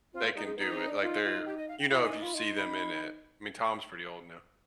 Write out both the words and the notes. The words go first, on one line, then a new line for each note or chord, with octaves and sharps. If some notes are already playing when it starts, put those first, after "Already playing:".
they can do it. Like they're, you know, if you see them in it. I mean, Tom's pretty old now,
C4 F4
B3
G3 D#4
B3
G#3
B3 D#4
C4
D4
D#4 F4
F4
G4
D#5
F5
G5
F4 B5
D#4
G#5
D#4
F4 B5
D#4 C6
B5